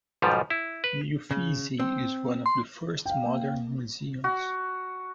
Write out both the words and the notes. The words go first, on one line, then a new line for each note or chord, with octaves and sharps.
The Uffizi is one of the first modern museums.
B1 G#2 D#3 F3 G3
E4
B4
C#3
C4
C6
F5 G5
A#3
F#4